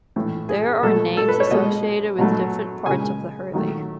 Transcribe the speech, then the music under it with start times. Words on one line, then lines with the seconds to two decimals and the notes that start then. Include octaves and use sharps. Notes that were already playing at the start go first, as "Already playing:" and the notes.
There are names associated with different parts of the hurley.
0.16 A2 E3 A3
0.49 G#4
0.83 B2 F#3 A3 A4
1.17 A4
1.28 B4
1.40 C#5
1.51 B2 G#3 D#5
2.18 B2 F#3 A3
2.86 C#3 G#3 G#5
3.53 D#3 F#3 A3